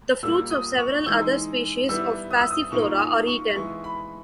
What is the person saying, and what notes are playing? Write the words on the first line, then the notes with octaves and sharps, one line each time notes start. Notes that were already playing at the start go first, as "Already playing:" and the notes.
The fruits of several other species of Passiflora are eaten.
A#2 G3 A#3 E6
D#6
C#6
E3 G#3 D#4 E6
G3 B3 E4 E6
D#6
E6
D#6
A#2 A#3 D#4 C#6
D#6
C#6
E3 G#3 B3 E4 C#6
B5